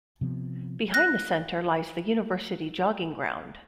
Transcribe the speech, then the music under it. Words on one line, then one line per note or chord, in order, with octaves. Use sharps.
Behind the center lies the university jogging ground.
C3 F3 B3
F#6 A#6